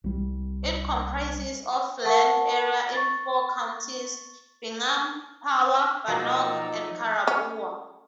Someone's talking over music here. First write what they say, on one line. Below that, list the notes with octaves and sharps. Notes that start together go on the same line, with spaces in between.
It comprises of land area in four counties: Bingham, Power, Bannock, and Caribou.
C2 G3
A#4 F#5 A5 C#6
C#6 A6
B2 F3 F#3 A#3 D#4 D5 E6
C#4